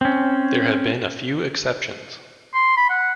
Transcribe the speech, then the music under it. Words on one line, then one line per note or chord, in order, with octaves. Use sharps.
There have been a few exceptions.
C4 C#4
C6
B5
F#5